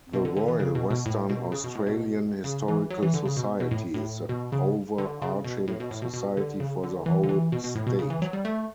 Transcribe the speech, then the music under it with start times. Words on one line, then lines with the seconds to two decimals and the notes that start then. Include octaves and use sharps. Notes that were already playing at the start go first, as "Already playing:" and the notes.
The Royal Western Australian Historical Society is the over-arching society for the whole state.
0.13 B2
0.25 D3
0.37 D3
0.48 E3
0.60 C#3
0.75 B2
0.90 B2
1.06 A2
1.29 B2
1.52 C#3
1.64 B2
1.75 A2
1.87 B2
2.44 C#3
2.68 E3
2.90 F#3
3.03 E3
3.14 D3
3.25 C#3
3.37 B2
3.60 B2
3.71 A2
3.94 A2
4.29 B2
4.52 C#3
4.98 D3
5.22 C#3
5.44 B2
5.68 A2
5.80 B2
5.91 A2
6.02 B2
6.14 B2
6.37 D3
6.60 C#3
6.83 D3
7.06 E3
7.24 D3
7.29 E3
7.52 B2
7.64 B2
7.75 A2
7.87 B2
7.99 C#3
8.10 E3
8.22 F#3
8.33 G3
8.45 A3